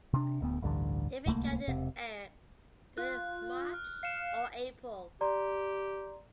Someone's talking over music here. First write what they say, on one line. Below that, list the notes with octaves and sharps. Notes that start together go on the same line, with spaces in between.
It began in Acre during March or April.
C3 D4
D1 D2 B3
A1 D2 G2 D3
D1 C2 A3 A#3
E1 C3
F4 F#6
F6
F5 C7 C#7 E7
G4 D5 A#5 C6